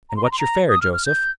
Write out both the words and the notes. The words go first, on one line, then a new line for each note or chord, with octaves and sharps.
"And what's your fare, Joseph?"
A#5
C6
A#5
C6
A#5
D#6
F6
F6
G6